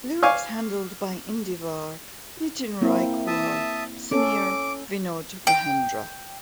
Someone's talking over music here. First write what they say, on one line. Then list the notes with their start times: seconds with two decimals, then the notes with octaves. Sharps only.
Lyrics handled by Indeevar, Nitin Raikwar, Sameer, Vinod Mahendra.
0.23 F5 G#5 C#6 D6 F6
2.81 A#3 C4 E4
3.27 E5 A5 D#6
4.11 C#4 A4 D6
5.47 G5